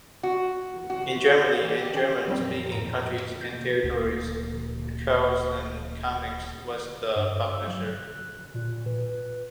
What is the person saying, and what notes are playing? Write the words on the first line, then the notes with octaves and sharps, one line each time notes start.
In Germany and German-speaking countries and territories, Carlsen Comics was the publisher.
F#4
F#4
E3 G4
C#4 G5
F2 A#2 F#3 G3 C4 A#4
A2 A#5
B2 A#3 G6
D1 A#2
G2
E6
F#3
F#6
A#2
B4